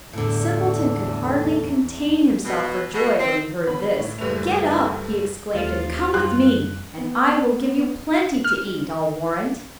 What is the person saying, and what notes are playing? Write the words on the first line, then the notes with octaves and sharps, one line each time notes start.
The simpleton could hardly contain himself for joy when he heard this. "Get up," he exclaimed, "and come with me, and I will give you plenty to eat, I'll warrant."
E2 A2 D3
B2
B2
C4
G1 B3 B5
A2
F#1 G3 A3 B4 F7
D#2 C3 F3 A3 F4 A6
F#2 G3 C6 F#6
B3
F6